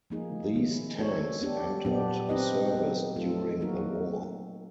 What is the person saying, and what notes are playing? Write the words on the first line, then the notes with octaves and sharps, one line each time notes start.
These tanks entered service during the war.
F3 A#3 D#4 G#4
D#3 G#3 C#4 E4
B3 D4 F#4 A4 C#5
B3 D4 G4
A#2 F#3 B3 D4 G4
C4 D#4 G4 B4 D#5
F#3 B3 D#4
F#3 A3 C4 F4 A4
F#3 A#3 D#4 F#4 A#4